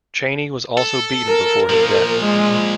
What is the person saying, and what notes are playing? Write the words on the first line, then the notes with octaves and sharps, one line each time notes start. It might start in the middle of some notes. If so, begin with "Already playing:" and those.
Chaney was also beaten before his death.
A4
A#4
A#2 F3
G#3